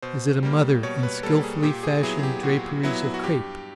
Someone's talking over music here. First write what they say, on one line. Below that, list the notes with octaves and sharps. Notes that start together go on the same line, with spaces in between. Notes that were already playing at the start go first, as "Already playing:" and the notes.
Is it a mother in skilfully fashioned draperies of crape?
B2 C5
G3 A#3
B2 C#5
B4
G3 A#3 A4
G#4
A#2 G4
G#4
F#3 B3 E4 G#4
G#4
G4
A#2 F#4
F#3 B3 E4
F#4
G2 G4